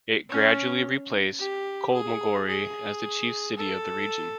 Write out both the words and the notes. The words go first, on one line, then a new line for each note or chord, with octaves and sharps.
It gradually replaced Kholmogory as the chief city of the region.
C#4
G4
G#4
G#4
A4